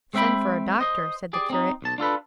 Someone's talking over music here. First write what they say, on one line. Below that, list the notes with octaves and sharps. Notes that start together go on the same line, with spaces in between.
'Send for a doctor,' said the curate.
G#3 C4 E5 G5 B5
C5 D#5
G4 G#4 D5
C4 D#4
B1 A5
D4 F4 A4 B4